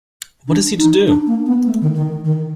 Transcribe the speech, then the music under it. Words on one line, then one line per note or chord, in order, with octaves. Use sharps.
What is he to do?
D4
D#4
D4
A#3
B3
A3
D#3
D#3
D#3